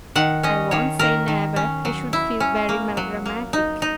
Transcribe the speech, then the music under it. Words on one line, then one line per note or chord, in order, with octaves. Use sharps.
"I won't say 'never'; I should feel very melodramatic."
D#3 F#5
C#4 D#5
D#3 C#5
D#3 A#4
D#3
C#4
F#3
E4
C#4
A#3
F#3
A#3
D#4
D#4